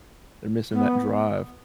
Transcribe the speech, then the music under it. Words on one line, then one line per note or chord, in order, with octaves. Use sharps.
They're missing that drive,
B3